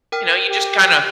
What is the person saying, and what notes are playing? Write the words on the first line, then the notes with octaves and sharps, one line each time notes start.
you know, you just kinda
A#4 G5 F6
G4